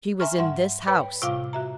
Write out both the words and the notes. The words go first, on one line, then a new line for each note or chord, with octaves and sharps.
She was in this house.
E5 G#5 A#5 C6 C#6 F6
G#2 G3 E5 F#5 C6
B4 C#5 D5 G5 B5
A2 C3 G3 F4 F5 D6
F#4 E5 A#5